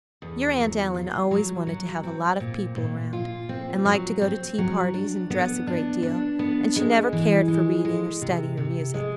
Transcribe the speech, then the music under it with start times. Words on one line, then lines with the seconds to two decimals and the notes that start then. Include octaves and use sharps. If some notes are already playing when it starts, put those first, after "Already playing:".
Your Aunt Ellen always wanted to have a lot of people around, and liked to go to tea-parties and dress a great deal; and she never cared for reading or study or music.
0.22 E2
0.58 F#3
0.94 F4
1.31 F#3
1.67 F#3
2.03 C4
2.40 A#2
2.76 A#2
3.13 F4
3.49 C4
3.85 F#3
4.22 C4
4.58 F#3
4.94 D4
5.30 B3
5.67 D4
6.03 D4
6.39 B3
6.76 G#3
7.13 E3
7.48 G#3
7.85 G#3
8.22 C3
8.57 C3
8.94 G#3